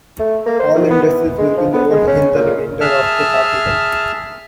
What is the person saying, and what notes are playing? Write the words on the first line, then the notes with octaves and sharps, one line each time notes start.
All indices will be lowered in the remainder of this article.
A3
A#3
C5
D#3
B3
E3
G#3
F3
B3
G#3
C#4
A#2
G#4 E5 A5 F6